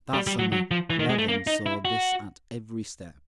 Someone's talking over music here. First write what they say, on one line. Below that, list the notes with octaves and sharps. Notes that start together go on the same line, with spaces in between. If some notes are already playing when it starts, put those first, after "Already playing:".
That summer Levin saw this at every step.
G3
G3
F#3
F#3
F3
E3
D#3
G#3
A3
A#3
D#4
E4
F#4